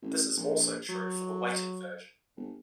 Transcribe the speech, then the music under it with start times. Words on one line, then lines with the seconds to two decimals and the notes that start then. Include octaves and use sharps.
This is also true for the weighted version.
0.02 A1
0.37 A#1
0.89 F#3
2.37 G1